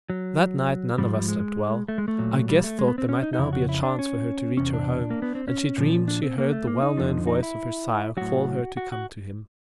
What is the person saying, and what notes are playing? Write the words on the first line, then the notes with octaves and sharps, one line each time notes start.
That night none of us slept well; our guest thought there might now be a chance for her to reach her home, and she dreamed she heard the well-known voice of her sire call her to come to him.
F#3
G#2 F3 G3
G3
G#3
A3
G#3
A3
A#2 F#3
G3
A3
G#3
B3
C4
C#4
D#4
D#4
F2 C#3 E4
F#4
E4
D4
C#4
E2 C3 C#4
D4
A#3
B3
C4
C#4
A#2 F3
D4
C4
A#3
A3
A#3
D#4
F2 D3 F3
D#4
E4
A2 F#3 F#4
F#4
F#4